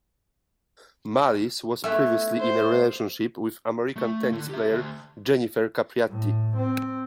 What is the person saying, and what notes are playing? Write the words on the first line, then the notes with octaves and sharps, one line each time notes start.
Malisse was previously in a relationship with American tennis player Jennifer Capriati.
A3 B3 E4 E6
C5 C6
A3
D3
G4 E5
D2
A2
C4